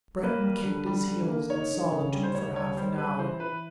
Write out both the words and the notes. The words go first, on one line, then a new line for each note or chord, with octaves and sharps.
Breton kicked his heels in solitude for half an hour.
A#3 B4
G3
D3
G3
D3
A#3
D#4 C#5
D3
C#3
G3
C5
D2 C#5
G3 C#5
G3 C5
G3 B4
E3 C5
E3 B4